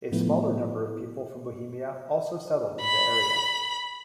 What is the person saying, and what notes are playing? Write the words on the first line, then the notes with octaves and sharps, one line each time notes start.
A smaller number of people from Bohemia also settled in the area.
A2 F3 A3 B3 E4
B5